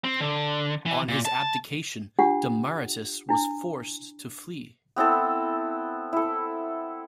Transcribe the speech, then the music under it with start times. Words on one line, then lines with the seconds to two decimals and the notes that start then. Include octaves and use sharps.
On his abdication, Demaratus was forced to flee.
0.04 C4
0.20 D3
0.86 E3
1.08 A#2
1.25 A5
2.19 D4 F4 G4 F#5
3.29 D4 E4
4.96 B3 C4 E4 A4
6.13 E4 A4